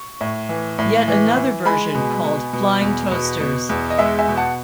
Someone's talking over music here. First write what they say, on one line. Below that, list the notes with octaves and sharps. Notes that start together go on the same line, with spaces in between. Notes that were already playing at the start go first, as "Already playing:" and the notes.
Yet another version called Flying Toasters!
Already playing: C#6
A2
E3
A2
E3
E3
G#3 G#5 B5
B2
B2
B2
E2
B2
B2
E2
D#5
G#3 E5
E5 G#5
B2
F#5 A5